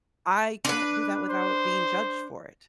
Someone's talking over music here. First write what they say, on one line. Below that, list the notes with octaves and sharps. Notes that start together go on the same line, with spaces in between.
I can't do that without being judged for it.
D4 B4
C5